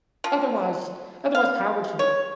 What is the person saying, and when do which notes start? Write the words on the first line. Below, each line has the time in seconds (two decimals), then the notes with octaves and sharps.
otherwise otherwise, how would you
0.24 F3
1.35 F5
1.99 C#5